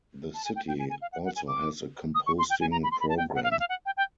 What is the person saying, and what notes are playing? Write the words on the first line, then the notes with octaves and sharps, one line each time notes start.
The city also has a composting program.
A5
G#5
G5
G5
G#5
G#5
F5
F#5
F#5
G#5
D6
D#6
C#6
C6
G5
G#5
A#5
B5
C6
B5
A5
G5
F#5
F5
E5
F5
F#5
G5
G5